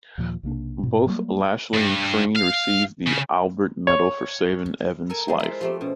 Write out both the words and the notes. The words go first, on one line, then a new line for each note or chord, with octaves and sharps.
Both Lashly and Crean received the Albert Medal for saving Evans' life.
D#2 A#2 F3
B1 C3 A#3 D4
G#2 B2
F#3 G3 A3 A#3
G2
F5
C#3
C#5
A4 A#4 G#5
F3 G#3 E5
E4 F4
F3 A3 C4 G4
B2 C#4